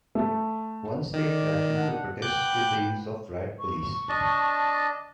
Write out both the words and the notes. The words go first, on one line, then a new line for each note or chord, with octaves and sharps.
One state reaction to protests is the use of riot police.
A3
D#3 D5
D4 F#5
B4 F#5 G5 D6 F#6 G6
C#6
D4 D#5 A5